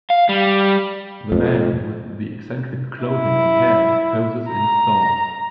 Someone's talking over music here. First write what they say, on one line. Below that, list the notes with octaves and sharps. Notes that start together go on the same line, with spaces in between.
The man with the eccentric clothing and hair poses in a store.
F5
G3
F2
E4
A#5